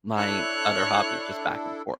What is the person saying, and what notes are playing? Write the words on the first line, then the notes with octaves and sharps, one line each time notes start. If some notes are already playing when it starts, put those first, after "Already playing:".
my other hobbies, just back and forth.
D4 E4 A4 C#5 F#6